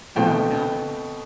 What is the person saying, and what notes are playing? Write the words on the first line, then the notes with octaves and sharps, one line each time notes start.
Oh, no.
B2 A3 C4 G5